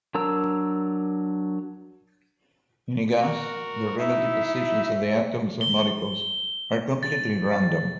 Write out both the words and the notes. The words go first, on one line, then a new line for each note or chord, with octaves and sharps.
In a gas, the relative positions of the atoms or molecules are completely random.
F#3 D4 A#4 A#5 E6
F#4 A#4
D#4 E4 E5
G7
A6